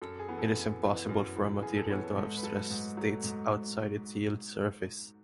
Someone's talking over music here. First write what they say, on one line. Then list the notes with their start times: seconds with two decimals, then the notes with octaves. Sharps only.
It is impossible for a material to have stress states outside its yield surface.
0.02 F#2 A4
0.19 G#4
0.28 E3 B3
0.38 A4
0.56 F#2
0.83 E3 B3
1.09 F#2
1.36 E3 B3
1.62 F#2 G#4
1.77 A4
1.89 E3 B3 C#5
2.03 A4
2.16 G#2 A4
2.37 B4
2.43 F#3 A3 A4
2.70 G#2
2.97 F#3 A3
3.24 G#2